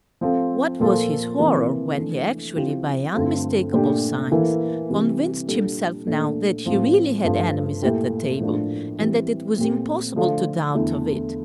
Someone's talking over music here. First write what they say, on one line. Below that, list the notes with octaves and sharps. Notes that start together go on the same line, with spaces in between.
What was his horror when he actually, by unmistakable signs, convinced himself now that he really had enemies at the table, and that it was impossible to doubt of it.
F3 C4 F4 A4
A#2 F3 A#3 F4 A4
C3 E3 A#3
E3 A3 D4 A4
F3 C4 E4 G4
G2 D3 A3 C4 F4
A#2 A3 D4 G4
E3 A#3 E4 A4
C3 E3 G3
A#2 G3 D4 F4 A4
A#2 A3 D4
A2 F3 C4
G2 F3 A3
A#2 A3 E4 G4
A2 F3 A#3 D4
E3 G3 C4 G4
A#2 A3 C4 G4
D3 F3 A3 D4 F4
E2 D3 A3 E4